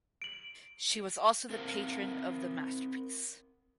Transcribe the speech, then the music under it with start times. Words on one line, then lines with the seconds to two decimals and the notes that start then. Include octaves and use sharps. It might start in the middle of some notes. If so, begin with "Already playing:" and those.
She was also the patron of the masterpiece.
0.22 D7 F#7
1.50 C4 A#4 F5 F#5